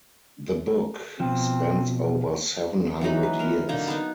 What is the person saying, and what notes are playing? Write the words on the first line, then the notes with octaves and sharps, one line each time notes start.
The book spans over seven hundred years.
B2 F3 C4
E3 F#3 D#4 B5
B4
A#4
D3 A#3 D#4
B3 D#4